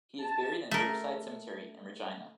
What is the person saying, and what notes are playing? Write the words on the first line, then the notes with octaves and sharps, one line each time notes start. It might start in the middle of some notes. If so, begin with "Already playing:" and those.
He is buried in Riverside Cemetery in Regina.
A5
A3 A#4